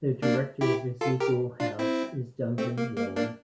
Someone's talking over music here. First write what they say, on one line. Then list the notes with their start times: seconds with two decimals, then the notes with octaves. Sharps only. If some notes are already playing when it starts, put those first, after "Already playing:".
The Director of Ezechiel House is Duncan Wong.
0.22 A#3 D4
0.61 E4 G4
1.01 F4 A4
1.20 G4 A#4
1.60 D4 F4
1.79 C4 E4
2.58 A3 C4
2.77 A#3
2.97 A#3
3.16 A#3 D4